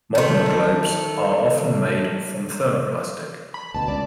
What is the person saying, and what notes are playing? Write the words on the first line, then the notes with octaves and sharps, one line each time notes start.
Modern globes are often made from thermoplastic.
D#3 A3
B5
D2 B2 A5
C#2 D5